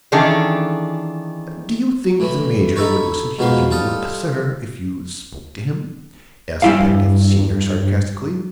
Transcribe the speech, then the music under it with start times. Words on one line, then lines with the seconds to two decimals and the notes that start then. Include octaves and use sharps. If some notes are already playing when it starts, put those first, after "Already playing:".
"Do you think the major would listen to you, sir, if you spoke to him?" asked Pedgift Senior, sarcastically.
0.12 D#3 E3 C#4 D4 G#4 A4
2.20 A2 E3
2.76 D#4 E4 A4 B4 C#5
3.39 G#2 B2 F3 B3 F5
3.71 G3 F4 A4 D#5
6.62 G2 G3 E4 F5